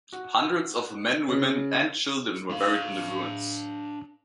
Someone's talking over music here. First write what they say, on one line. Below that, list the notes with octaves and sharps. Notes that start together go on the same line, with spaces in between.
Hundreds of men, women, and children were buried in the ruins.
F#4
C#3
D4 F5